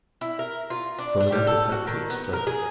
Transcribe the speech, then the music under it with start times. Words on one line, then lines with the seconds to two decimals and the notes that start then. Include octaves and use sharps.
"From an apoplectic stroke."
0.21 E4
0.39 A#4
0.70 F4
0.98 D4
1.20 D4
1.32 G3
1.47 A4
1.72 F#4
1.87 D#3
2.10 B3
2.33 A#4
2.47 G#4